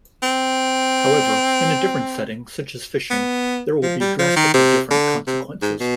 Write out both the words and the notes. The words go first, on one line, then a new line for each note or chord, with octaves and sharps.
However, in a different setting, such as fishing, there will be drastically different consequences.
C4
B3
F3
G3
F3
D#3
C3
D3
C3
G#2
B2